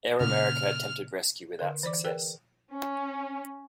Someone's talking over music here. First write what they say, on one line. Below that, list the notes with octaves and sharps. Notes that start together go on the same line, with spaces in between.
Air America attempted rescue without success.
A#2 C#3 F6
D3 A#4
E3 C5 D5 D6
G#4 A#4 B4 D5 G5
C#4